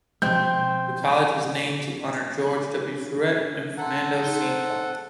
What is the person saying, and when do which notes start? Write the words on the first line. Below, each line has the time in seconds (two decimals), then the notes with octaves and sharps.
The college was named to honor George W. Truett and Fernando C. McConnell.
0.22 B2 F3 G#3 C4 G6
2.47 D4
3.77 A4 F#5 A#5 C6
4.24 D#4 G#4 C6
4.42 C5